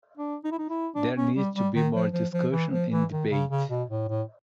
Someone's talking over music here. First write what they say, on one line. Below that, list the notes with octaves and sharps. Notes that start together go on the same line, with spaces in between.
There needs to be more discussion and debate.
D4
D#4
E4
D#4
E4
D4
C#4
G3
G3
D#3
F3
F3
F3
E3
F3
E3
D#3
C#3
C#3
B2
A2
A2